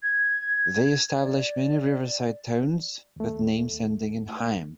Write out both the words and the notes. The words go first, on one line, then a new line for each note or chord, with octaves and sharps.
They established many riverside towns with names ending in "-heim".
G#6
D5
D#2 A3